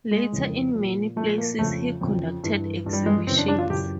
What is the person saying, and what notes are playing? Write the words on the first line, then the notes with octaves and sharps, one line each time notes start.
Later in many places he conducted exhibitions.
G#3
F2 C#3 E3
A#2 F3
A#2 F3 A3
A#3
F2 C#3 F3 A3
F2 C#3 F3
G2 E3
G2 E3
G3
G#3
F#2 C#3 E3 C4
D4
D4
F4
F#2 C#3 E3 G4